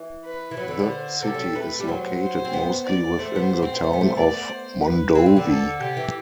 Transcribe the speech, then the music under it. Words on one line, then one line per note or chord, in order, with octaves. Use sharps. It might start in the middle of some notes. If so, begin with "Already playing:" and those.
The city is located mostly within the Town of Mondovi.
Already playing: E3
B4
E3
F#3 B4
D3
D3
C5
C3 A4
F#3
G3
A3 B4
G3
F#3 C5
C5
C4
B3
D5
A3 C5
B3
B3
C4
B3
A3
B3
A3
B3 D5
C5
B4
C4
C4
D3
A4
C3 G4
E3